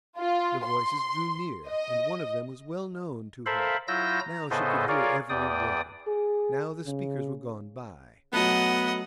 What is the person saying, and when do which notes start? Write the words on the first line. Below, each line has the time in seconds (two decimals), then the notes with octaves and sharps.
The voices drew near, and one of them was well known to her; now she could hear every word; now the speakers were gone by.
0.19 F4
0.66 C6
1.68 D#5
3.46 A4 A#4 C5 E5 F5 B5
3.88 F#3 E4 F4 E6 G6 A#6
4.21 A#5
4.51 A2 C#3 B3 A4 C5 D#5
4.88 F4 G#4 A#4 C#5 D5 F5
5.29 E2 D5 G5 D#6
6.08 G#4
6.86 C#3
8.33 F#3 A3 B3 D#5 F#5